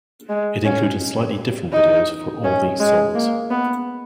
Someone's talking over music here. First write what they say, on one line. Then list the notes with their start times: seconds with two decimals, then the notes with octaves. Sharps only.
It included slightly different videos for all these songs.
0.29 G#3
0.65 C#4
1.72 D#4
2.44 C#4
2.80 G#3
3.15 A#3
3.50 B3